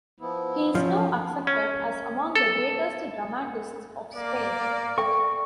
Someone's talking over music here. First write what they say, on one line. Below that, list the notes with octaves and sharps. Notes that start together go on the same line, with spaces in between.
He is now accepted as among the greatest dramatists of Spain.
F3 B3 E4
F3 F#3 C#4
C#4
A4
A#3 D5
A4 E5 G5 C#6